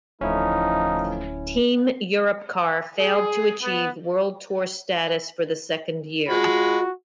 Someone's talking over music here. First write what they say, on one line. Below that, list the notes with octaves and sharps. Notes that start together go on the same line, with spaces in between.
Team Europcar failed to achieve World Tour status for the second year.
D1 E3 F3 A3 C#4 D#4 E4
G#4
B3
G#3 F4 F#4 B5